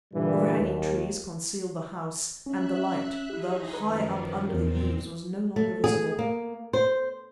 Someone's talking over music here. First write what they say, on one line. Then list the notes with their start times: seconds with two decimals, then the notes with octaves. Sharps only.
Overhanging trees concealed the house, and the light, though high up under the eaves, was no longer visible.
0.14 G2 A#2 D3 E3 G3
0.60 D#2
2.46 C#4 E5 F#6
3.30 D#4 E4 G4 G#4
3.74 F#2 D#3 F3 B4 A#5
4.49 E2 A#2 C4 A#4
5.56 A3
5.84 G#4
6.19 A#3
6.73 C5